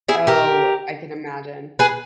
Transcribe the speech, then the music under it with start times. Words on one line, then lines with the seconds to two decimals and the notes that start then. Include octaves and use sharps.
Oh, I can imagine.
0.08 E4 G#4
0.27 G4 A#4
1.79 G#4 B4